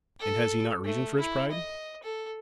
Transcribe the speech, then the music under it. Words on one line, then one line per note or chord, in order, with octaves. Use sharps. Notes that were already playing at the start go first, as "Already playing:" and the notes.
And has he not reason for his pride?
A4
A3
E4
D#5
A4